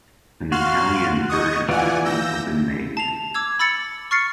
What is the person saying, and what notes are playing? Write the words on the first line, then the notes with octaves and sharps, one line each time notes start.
An Italian version has also been made.
F#4 F5 C6 F6
D#5 C#6 D#6
E2 E3 F4 D5 F#5 G#5
E6 G6 A#6
A5 C7 F7
D6 E6 G#6
B5 E6 A6 C#7
C#6 F6 A6 C7 C#7